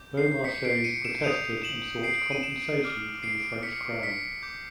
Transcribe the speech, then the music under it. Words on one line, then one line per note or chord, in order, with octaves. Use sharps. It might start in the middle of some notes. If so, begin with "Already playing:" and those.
Beaumarchais protested and sought compensation from the French Crown.
Already playing: D6 G6
C7
B6 C#7
C7 D7
C#7 D#7
D7 E7
D#6 G6 D#7 F7
E7 F#7
C7 D7
D#7
D7 E7
D6 F6
C7 D7
B6 C#7
B6 C#7
D6 G6